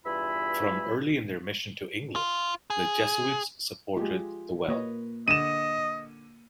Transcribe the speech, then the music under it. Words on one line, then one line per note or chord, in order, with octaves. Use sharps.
From early in their mission to England, the Jesuits supported the well.
E2 G2 F4 E5 G#5 B5
F4
G#4
G#3 F4 G4
A#3 B4 C#5 D#5
D3 D#5 D#7 E7